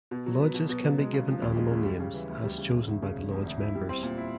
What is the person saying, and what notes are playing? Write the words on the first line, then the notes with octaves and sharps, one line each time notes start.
Lodges can be given animal names as chosen by the Lodge members.
B2
F#3
B3
B2
B2
F#3
G#3
C#3
F3
D#2
G#3
C#3
G3
C#3
E3
D2
G3
C#3
E1
D2
C#3
E1
E1
D2
E4
G3
C4
A#2
E4